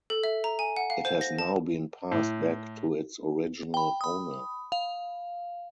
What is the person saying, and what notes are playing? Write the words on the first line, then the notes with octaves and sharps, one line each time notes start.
It has now been passed back to its original owner.
A4
E5
A#5
G#5
F#5
F5
C5
A#6
A5
A2
G5 B5
B5 D#6
F5